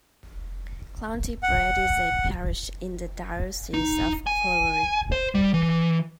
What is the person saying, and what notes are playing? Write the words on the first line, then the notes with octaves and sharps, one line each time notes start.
Clontibret is a parish in the Diocese of Clogher.
F#5
D#4
G#5
C5
G3
E3